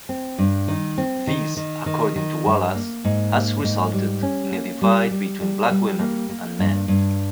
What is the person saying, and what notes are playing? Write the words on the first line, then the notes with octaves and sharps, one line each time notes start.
This, according to Wallace, has resulted in a divide between black women and men.
C4
G2
D#3
C4
D#3
D#3
D#3
D#3
G2
A#3
G#2
A#3
G#2
G3
C#4
A#3
G3
G3
G3
G3
A#3
A#3
G2
G2